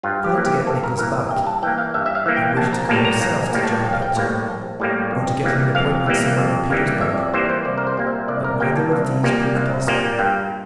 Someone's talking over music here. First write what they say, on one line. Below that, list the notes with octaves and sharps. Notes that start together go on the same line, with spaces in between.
She tried to get Nicholas back and wished to go herself to join Petya, or to get him an appointment somewhere in Petersburg, but neither of these proved possible.
G2 F4
G4
E3 A#3
G4
G2 A4
A#4
E3 A#3 A#4
G2 G5
A5
E3 A#3 G5
F5
G2 E5
E5
F5
E3 A#3
G5
A#1 A5
A#5
A2 G3 A#3 A5
A#5
A#1 A#5
A2 G3 A#3
A5
A#1 G5
F5
G5
A2 G3 A#3
A#1
A2 G3 A#3
F2
E3 G3 A#3
F2 F5
E3 G3 A#3
F2
E3 G3 A#3
F2 E5
D5
E3 G3 A#3 C5
C5
C2 D5
A#4
C5
A#2 G3 A#3
E5
C2 D5
A#4
A#2 G3 A#3 G5
A5
C2
A#2 G3 A#3
C2
A#2 G3 A#3
G2 G5